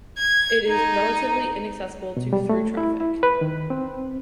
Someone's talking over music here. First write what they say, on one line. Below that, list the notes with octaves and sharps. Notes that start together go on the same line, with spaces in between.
It is relatively inaccessible to through traffic.
G#6
D#4
B2
G3
A3
E4
E4
B4
D#3
C4